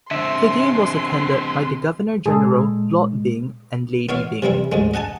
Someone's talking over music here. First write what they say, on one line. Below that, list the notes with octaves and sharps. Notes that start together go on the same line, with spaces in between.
The game was attended by the Governor General Lord Byng and Lady Byng.
D3 C4 E5 C6
A#2 G#3 G#4 A4
B3 E4 C#5 F5
C3 E3 G3 E4
D2 G#2 G#3
D#5 F#5 G#5 A5